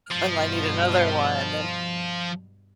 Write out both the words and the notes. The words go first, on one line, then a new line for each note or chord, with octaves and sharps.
I might need another one then."
G2 B2 F3